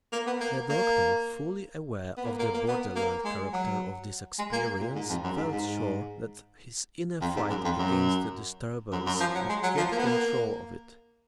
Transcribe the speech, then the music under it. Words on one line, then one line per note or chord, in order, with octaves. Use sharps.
The doctor, fully aware of the borderland character of this experience, felt sure that his inner fight against the disturbance would get control of it.
A#3
B3
A#3
A#3
B3
A#3
A#3
A#3
B3
A#3
G#3
F#3
G#3
A#3
A#2
G#2
F2
F#2
G#2
G#2
F2
G#2
F#2
F2
F#2
F#2
F#2
F3
F#3
G#3
F#3
F3
A#3
B3
A#3